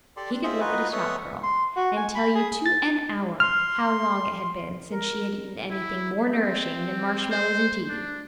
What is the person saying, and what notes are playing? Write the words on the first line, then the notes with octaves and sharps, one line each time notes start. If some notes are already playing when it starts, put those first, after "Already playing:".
He could look at a shop-girl and tell you to an hour how long it had been since she had eaten anything more nourishing than marshmallows and tea.
G4 A4 D5 C6
D4
F4 G#4 C5 D#5 E5
D#4 F4 F#4 B4 D#5 G#5
B3 A4 C#5 E5 F#5 D#6
C6
F#4
G#5
B5
G#4
A6
C6 F6
A#4
E4
C4
C5
D4